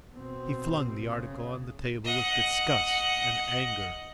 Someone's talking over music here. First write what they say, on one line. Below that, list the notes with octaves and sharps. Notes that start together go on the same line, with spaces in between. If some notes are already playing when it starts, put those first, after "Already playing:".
He flung the article on the table with disgust and anger.
B2 C4
C#3
D#5 F#5